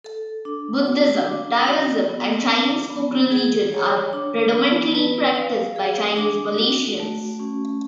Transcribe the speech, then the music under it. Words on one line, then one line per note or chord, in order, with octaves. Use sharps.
Buddhism, Taoism, and Chinese folk religion are predominantly practised by Chinese Malaysians.
A4
D4
F#4
D4
F#4
B3
D4
B3
G#4
C#5
D4
B3
B4
F5
G#4
D4
F#4
A3
C#4